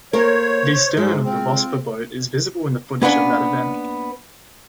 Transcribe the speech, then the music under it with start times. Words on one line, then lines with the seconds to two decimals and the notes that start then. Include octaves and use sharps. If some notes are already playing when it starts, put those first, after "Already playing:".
The stern of the Vosper boat is visible in the footage of that event.
0.13 A#3 A#4 C5 C#5
0.97 G#2 G#3 A4
1.24 C4 F4
3.02 A#3 B3 C#4 D4 B4